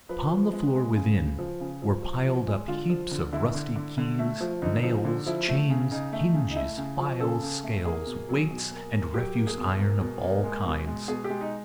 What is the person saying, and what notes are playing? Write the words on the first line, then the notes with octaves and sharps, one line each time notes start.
Upon the floor within, were piled up heaps of rusty keys, nails, chains, hinges, files, scales, weights, and refuse iron of all kinds.
F3 B4
F3
G#3
G#3
C#3
C#3
F3
C#3
F3
F3
F3
G#3
D3 F4
F3
D3
D3 E4
D3
D3
D3
A3
F3
D3 D#4
F3
D3
F3 E4
A3
C#3
C#3 D#4
A3
C#3
D#4
A3 E4
C#3
F3
C#3 A4
C#3
A3
A#3 G#4
B2
F#3
B2
A#3
A#3
F#3 G4
A#3
G#4
B2
A#3
B2
A#3
G#3
B2
G#3
B2 G#4
G4
G#3
D#4